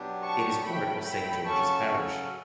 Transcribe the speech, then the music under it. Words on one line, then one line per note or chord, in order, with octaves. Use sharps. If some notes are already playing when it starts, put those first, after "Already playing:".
It is part of Saint George's Parish.
Already playing: B2 F#3 B3 D4 G4
A5 C#6
B2 F#3 A3 G5 B5
G5 B5
C#3 F#3 C#4 F#4 A4 A5 C#6